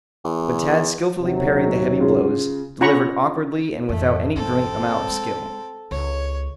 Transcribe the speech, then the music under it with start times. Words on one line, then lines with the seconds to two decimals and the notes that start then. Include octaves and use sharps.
But Tad skillfully parried the heavy blows, delivered awkwardly and without any great amount of skill.
0.24 E2
1.20 D#2 C3 F#3
2.00 C#3 F4
2.81 C#4 F4 F#5 A#5 B5 C#6
3.89 A1 F2 A3
4.36 G1 E2 C4 A4
5.08 G#3
5.91 C#2 C#5